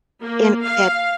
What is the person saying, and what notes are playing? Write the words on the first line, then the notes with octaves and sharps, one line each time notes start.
and that
A#3
F5